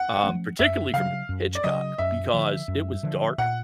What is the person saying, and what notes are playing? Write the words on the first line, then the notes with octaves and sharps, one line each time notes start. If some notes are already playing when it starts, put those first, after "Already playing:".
um, particularly from M Hitchcock because it was dark,
Already playing: F#5
F3 A3 C#4
F#2 E5
C#3 F#3 F5
F#2
D5
C#3 F#3 D#5
F#2 E5
D3 F3
F#2
D3 F3
A#2 F#5